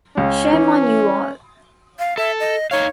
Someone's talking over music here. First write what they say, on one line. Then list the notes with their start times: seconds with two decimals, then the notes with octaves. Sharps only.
Shame on you all.
0.17 C#2 C#4
0.53 E3
1.99 F5
2.18 A4 E5
2.40 D#5
2.71 D#4 C#5 F5